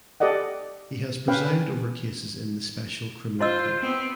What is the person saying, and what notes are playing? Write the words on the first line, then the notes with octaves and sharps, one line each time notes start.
He has presided over cases in the Special Criminal Court.
G4 A4 D5 D#5 F#5
C#4 B4 F5 G5
E4 F4 C5 D#5 E6
B3 C4